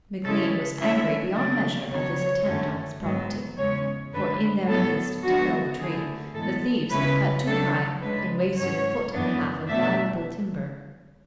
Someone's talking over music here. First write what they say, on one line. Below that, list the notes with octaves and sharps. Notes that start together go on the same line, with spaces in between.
McLean was angry beyond measure at this attempt on his property, for in their haste to fell the tree the thieves had cut too high and wasted a foot and a half of valuable timber.
C#3 G#3 C#4 E4 A4
D3 G#3 C#4 E4 E5
C#3 F#3 A3 D4 D5
C#3 F#3 B3 D4 C#5
F#2 D3 A3 C#4
G#2 F#3 B3
E2 C#3 G#3 C#4 C#5
F#2 D3 G#3 D4 B4
A2 F#3 B3 A4
D3 G#3 B3 D4 F#4
D3 A3 E4 G#4
A2 E3 G#3 B3 A4
C#3 G#3 C#4 E4 B4
C#3 F#3 A3 D4 A4
C#3 G#3 D4 B4
G#2 F#3 C#4 C#5
F#2 E3 B3 D4
B2 A3 D4 E5